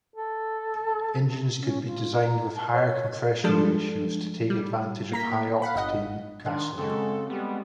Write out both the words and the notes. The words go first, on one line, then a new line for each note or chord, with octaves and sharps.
Engines could be designed with higher compression ratios to take advantage of high-octane gasoline.
A4
C#4
F4
A#5
A5
C#5
F3 G3 G#3 D4 A4
G3
A#3 A#5 B6
F5 F#5 B5
G1 D#5 F#5
D#3 D4 C5
C#3 G#3 C4 F#4 A4
G3 G#3 B3